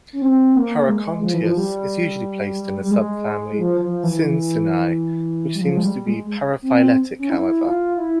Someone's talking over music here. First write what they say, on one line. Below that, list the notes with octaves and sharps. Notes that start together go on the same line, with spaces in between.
"Paracontias" is usually placed in the subfamily Scincinae, which seems to be paraphyletic however.
C#4
C4
A#3
G#3
F3
E3
F3
G3
G3
G#3
F3
F3
E3
E3
G3
F3
G#3
G3
G#3
C4
C#4
E4
F4
E4